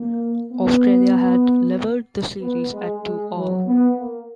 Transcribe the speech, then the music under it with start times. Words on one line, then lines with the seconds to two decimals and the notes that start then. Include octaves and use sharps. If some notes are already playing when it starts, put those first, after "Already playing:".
Australia had levelled the series at two-all.
Already playing: A#3
0.52 B3
2.41 B3
2.72 G#3
3.03 G#3
3.35 F#3
3.66 B3
3.97 A#3